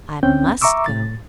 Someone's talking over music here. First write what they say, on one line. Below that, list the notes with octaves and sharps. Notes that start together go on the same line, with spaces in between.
I must go.
D2 C4 C#4 G5 G6
E5 A#5 C#6 D6 E6
A2 A6